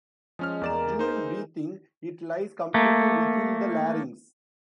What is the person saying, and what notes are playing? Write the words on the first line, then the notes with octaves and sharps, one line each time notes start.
During breathing, it lies completely within the larynx.
F3 G#3 C#4 F6
E2 A#3 G#4 D5 E7
D#4 C5
E3
A3 A#3